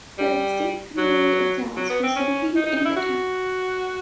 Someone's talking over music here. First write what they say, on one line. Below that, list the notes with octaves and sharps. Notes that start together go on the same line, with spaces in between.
The extinct community of Dallas was located in the town.
G3
F#3
F#3
B3
C4
C#4
D#4
D#4
D#4
E4
F#4